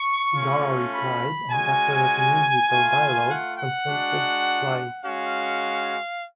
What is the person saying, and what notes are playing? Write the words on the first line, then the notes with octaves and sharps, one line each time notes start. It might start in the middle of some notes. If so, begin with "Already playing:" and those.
Zara replied, and, after a musical dialogue, consented to fly.
Already playing: C#6
A3 C#4 F4
B5
G#3 C#4 F#4 G#5
A3 F4
F#5
F#5
G#3 D4 F#4
G#3 C#4 F#4 F5